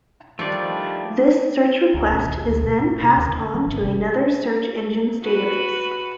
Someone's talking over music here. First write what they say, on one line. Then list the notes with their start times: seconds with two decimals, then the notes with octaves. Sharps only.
This search request is then passed on to another search engine's database.
0.39 D#3 F3 G3 A3 D4 D5
1.94 C#2
2.13 A#1
2.26 D#2
2.48 D2
2.63 B2
2.80 A2
3.02 C3
3.17 D#2
3.29 C#3
3.54 F3
3.67 G1
3.82 C3
5.22 F#4 B4